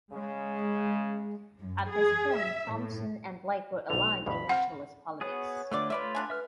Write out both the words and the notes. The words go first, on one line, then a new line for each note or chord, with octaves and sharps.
At this point Thomson and Blake were aligned in nationalist politics.
C#3 G#3
F#2
G#4
E5
A2
B1 D3 F7
D2 G2 B2 B5
C4 F5 F#5
B3 F#4 G#4 C#5
D3 A3 B3 F4 D5
A3 F4 B4 D5 E5 B5
D3 D4 G#5
B4 E5 F6